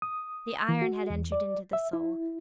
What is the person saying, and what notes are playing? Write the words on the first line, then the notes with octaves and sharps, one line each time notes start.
The iron had entered into the soul.
D#6
E3
F#4
E2
D5
E5
E4